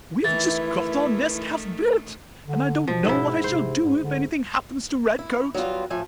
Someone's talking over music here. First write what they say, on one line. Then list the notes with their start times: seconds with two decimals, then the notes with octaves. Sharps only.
We've just got our nest half built, and I don't know what I shall do if anything happens to Redcoat.
0.24 D#3 E3 A3 E4 A6
2.47 D3
2.88 B2 F3
3.05 G#2 B2 E4
3.44 C3 C5
3.84 G#2
4.00 D3
5.19 E4
5.54 F#3 G3 B3 F4
5.90 A2 F3 E5 G#5